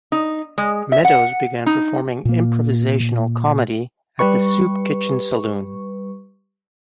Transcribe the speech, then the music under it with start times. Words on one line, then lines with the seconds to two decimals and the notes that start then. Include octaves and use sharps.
Meadows began performing improvisational comedy at the Soup Kitchen Saloon.
0.12 D#4
0.58 G#3
0.92 E5
1.05 F#5
1.66 D#4
2.25 A#2 A#3
4.19 G3 G4 B4 C#6